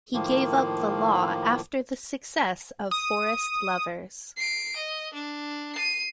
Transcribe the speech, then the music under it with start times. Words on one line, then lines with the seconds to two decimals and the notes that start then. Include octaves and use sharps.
He gave up the law after the success of "Forest Lovers".
0.14 A2 D#3 F3 A#3
2.91 D#6
4.37 C7 D7
4.76 D#5
5.14 D4
5.74 C7 D#7